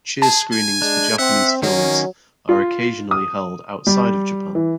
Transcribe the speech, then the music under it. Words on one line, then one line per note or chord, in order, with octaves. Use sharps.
Cheer screenings for Japanese films are occasionally held outside of Japan.
G#4 A5
G#5
G#3 D4
C4 E5 F#5
D#3 F#3 A#3 C#4
F4
D#6
G3
E3